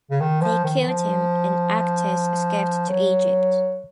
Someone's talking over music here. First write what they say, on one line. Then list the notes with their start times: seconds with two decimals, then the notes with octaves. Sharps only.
They killed him and Actis escaped to Egypt.
0.11 C#3
0.20 D#3
0.41 F3
0.64 D#3
0.81 D#3
0.87 F3
2.88 F#3